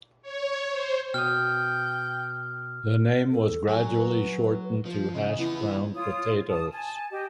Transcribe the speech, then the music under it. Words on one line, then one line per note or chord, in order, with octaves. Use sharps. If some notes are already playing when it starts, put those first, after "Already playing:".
The name was gradually shortened to 'hash brown potatoes'.
C#5
C5
B2 G5 D#6 F6
A4
F#3 G#5
B4
F3 F4
C#3 D#5
E3 B3 E4
F4 C#5 D#6
A5 D#6
G#5 A5
G4 D#5